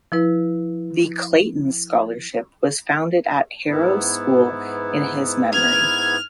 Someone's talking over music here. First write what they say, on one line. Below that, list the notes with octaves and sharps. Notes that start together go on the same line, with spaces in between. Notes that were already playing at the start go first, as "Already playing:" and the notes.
The Clayton Scholarship was founded at Harrow School in his memory.
F3 E4 B4
G#2 B3 E4
F6 G#6